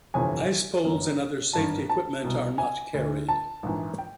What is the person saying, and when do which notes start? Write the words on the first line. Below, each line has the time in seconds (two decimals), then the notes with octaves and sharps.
Ice-poles and other safety equipment are not carried.
0.14 G1 F2 C3 E3 G#5
0.85 G1 F#2 D#3
1.53 G#1 G2 D#3 A5
1.89 A5
2.24 C2 B2
2.58 G#5
2.94 D2 D3
3.29 A5
3.63 A#1 G#2 E3
3.98 G5